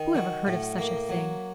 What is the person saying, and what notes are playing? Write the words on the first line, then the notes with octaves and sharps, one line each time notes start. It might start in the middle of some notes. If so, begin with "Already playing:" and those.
Who ever heard of such a thing!
Already playing: D#3
F#3
A2
A#3
F#3